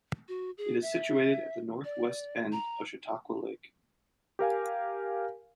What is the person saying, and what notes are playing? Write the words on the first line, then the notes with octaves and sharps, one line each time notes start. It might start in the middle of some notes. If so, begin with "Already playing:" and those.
It is situated at the northwest end of Chautauqua Lake.
F#4
G#4
E5
D5
A#5
G4 A#4 F5 G#5